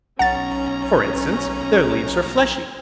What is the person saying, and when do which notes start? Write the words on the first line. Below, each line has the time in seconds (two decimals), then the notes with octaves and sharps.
For instance, their leaves are fleshy.
0.19 B1 C#4 F#5 A#5 A6